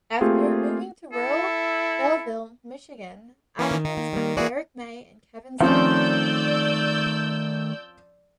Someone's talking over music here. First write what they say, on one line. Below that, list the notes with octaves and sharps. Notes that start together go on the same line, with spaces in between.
After moving to rural Belleville, Michigan, Atkins met Derrick May and Kevin Saunderson.
A3 A#3 C4 F4 G4 G#4
E4 A4
E3 A#3 C#4
D#3
D#3 D#4
A#3
G3 A#3
E3 A#3 E4 F#4 G#4 D5
D#3 F3 A3 C4 C#4 D5 E6 G6